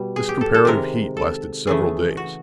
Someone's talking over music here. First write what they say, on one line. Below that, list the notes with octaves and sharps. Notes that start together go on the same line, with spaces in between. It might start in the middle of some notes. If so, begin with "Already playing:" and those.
This comparative heat lasted several days.
Already playing: B2 G3
G#4
G4
A4
A4
C3 D#3 G#3 A#4
A4
C#3 E3 A3 G#4
F#4